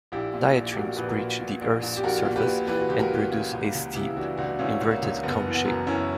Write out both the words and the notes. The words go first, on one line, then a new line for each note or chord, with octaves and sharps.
Diatremes breach the Earth's surface and produce a steep inverted cone shape.
A#1 E4 G4
A#2
A#1
G4
A#1 F#4 A#4
A#1 B4
F#4 A#4
A#2
A#2
A#1
A#1
G4
A#1 F#4 A#4
A#2
G4 B4
A#2
E3 G4 B4
F#4
C#2 G4
F#4 A#4
E3
C#3
C#2
C#2
C#3 E4 G4
E4
E3 D4 F#4
C#2 D4 F#4
C#2 C#4 E4
C#2
A#3
C#2
F#1 B3
E3
B3
F#2
F#2 C#4 E4